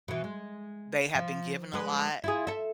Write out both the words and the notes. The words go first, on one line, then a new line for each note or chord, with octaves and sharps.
they have been given a lot
B2 E3
G#3
F3
G#3 G#4 B4
E4 F4 G#4
A4 E5